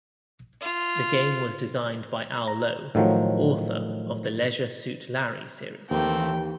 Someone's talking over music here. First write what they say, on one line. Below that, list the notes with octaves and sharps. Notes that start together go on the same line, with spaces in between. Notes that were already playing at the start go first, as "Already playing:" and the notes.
The game was designed by Al Lowe, author of the "Leisure Suit Larry" series.
F4
A#5
A2 D#3 F3 F#3
D#2 E3 A3 A#3 C4 G5